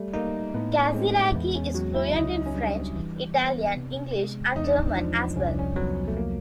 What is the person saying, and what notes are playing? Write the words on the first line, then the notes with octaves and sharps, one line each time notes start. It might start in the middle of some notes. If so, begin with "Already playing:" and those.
Casiraghi is fluent in French, Italian, English and German as well.
Already playing: G3 A3
A#3 D#4
A2 B3
C#4
G#3 C4
E2 B3
C#4
F#3 F#4
E4
C#2 D#4
C#4
G3 D4
E3
B3
C3
G#3
E2 D#4
D4
D#4
F3 D4
C2 C#4
D4
C#4
F#3 B3
A3
A#3